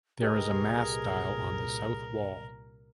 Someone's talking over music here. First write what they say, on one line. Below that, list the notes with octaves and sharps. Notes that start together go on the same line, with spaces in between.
There is a mass dial on the south wall.
C2 A#2 G4 G#4 A#4 B4 D#5